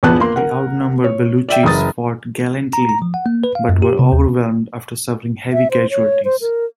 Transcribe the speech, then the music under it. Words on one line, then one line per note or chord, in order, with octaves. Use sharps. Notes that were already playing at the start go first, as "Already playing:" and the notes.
The out-numbered Baluchis fought gallantly but were overwhelmed after suffering heavy casualties.
A#1 E2 B3 A5 F#6
A#3 C6
A#4 F#5
C#5
D5 E5 G5
F#1 E3 D#6 A6
A#5
A#5
F3
F#5
A#3
B4
F5
F#2
G4
C3
D#2
E5
C5
C#5
C5
A#4